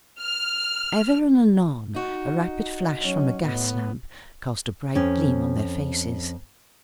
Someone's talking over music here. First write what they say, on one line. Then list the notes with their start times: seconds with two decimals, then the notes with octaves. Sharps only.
Ever and anon a rapid flash from a gas lamp, cast a bright gleam on their faces.
0.20 F6
1.94 D#4 F#4
2.99 F#3 C#4
3.42 A2 B3
4.95 F2 C#4